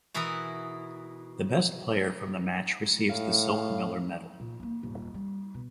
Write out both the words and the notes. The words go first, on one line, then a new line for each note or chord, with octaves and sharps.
The best player from the match receives the Silk-Miller Medal.
B2 E3 E4 G#4 A#4 A#5
A2 F5
A#2
A#3 C4
D#1 G#2
G3
B2